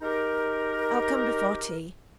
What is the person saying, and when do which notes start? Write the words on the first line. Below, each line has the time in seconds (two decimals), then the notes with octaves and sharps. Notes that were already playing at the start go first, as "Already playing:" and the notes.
I'll come before tea.
0.02 G#3 D#4 G4 A#4